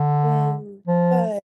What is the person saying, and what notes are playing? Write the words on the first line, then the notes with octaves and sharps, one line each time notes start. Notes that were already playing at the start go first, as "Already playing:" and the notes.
Mm. Good
Already playing: D3
F3